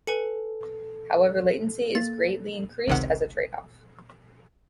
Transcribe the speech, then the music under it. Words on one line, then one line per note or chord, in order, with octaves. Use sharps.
However, latency is greatly increased as a trade-off.
A4 B4 G#5 C#7
A#3 A6
G#1 C#2 C3 D#3 F#5